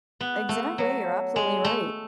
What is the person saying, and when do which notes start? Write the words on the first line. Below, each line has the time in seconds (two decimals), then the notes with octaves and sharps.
Exactly, you're absolutely right.
0.20 B3
0.49 A3
0.78 F#3
1.36 G#3
1.64 A3